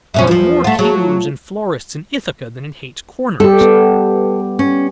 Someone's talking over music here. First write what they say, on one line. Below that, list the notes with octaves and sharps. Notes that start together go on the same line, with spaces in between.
There are more caterers and florists in Ithaca than in Hayt's Corners.
F#2 B2 C#4 E5
E2 F3 F4
A3 F4 F#5
F#3 G#4
F4
G3 G4 A4
B3
C#4